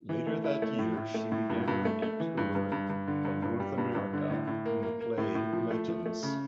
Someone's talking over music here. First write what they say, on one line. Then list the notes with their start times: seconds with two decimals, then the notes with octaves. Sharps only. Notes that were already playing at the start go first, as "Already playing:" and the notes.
Later that year, she began a tour of North America in the play Legends!
0.09 E3
0.27 A3
0.44 E4
0.62 A3
0.79 A2
0.97 A2
1.14 A3
1.32 A2
1.50 G2
1.68 G2
1.85 A3
2.02 A3
2.20 E3
2.38 G2
2.55 G2
2.72 G2
2.90 G2
3.08 D3
3.25 G2
3.42 G2
3.60 G3
3.78 G2
3.95 G2
4.13 D3
4.30 A2
4.47 A2
4.65 A#3
4.83 A#3
5.01 A#3
5.18 A2
5.35 A2
5.53 F3
5.71 A3
5.88 F3
6.06 A3
6.23 C#3